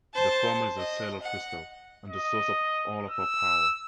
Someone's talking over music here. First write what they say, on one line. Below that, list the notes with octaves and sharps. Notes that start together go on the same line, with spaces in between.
The former is her Sailor Crystal and the source of all of her power.
C5 A5
D#5
F#5
D#5
E6